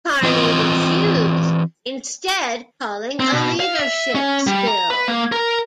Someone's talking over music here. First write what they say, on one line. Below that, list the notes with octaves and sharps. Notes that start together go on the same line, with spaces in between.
Carney refused, instead calling a leadership spill.
E3 C4 F4 D#5
C4
B2
F5
E5
C#4
G3
A#5
B4
A#3
A#4